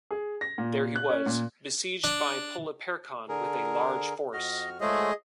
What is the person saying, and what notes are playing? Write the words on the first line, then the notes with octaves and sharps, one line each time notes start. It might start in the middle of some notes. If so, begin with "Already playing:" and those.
There he was besieged by Polyperchon with a large force.
G#4
A#6
A#2
F#6
C#4
A#2
D4
D3 G#4 A#4
F2 F#4 D#5 F6
G#3 A3 F4 G#4 C5 C#5 D#5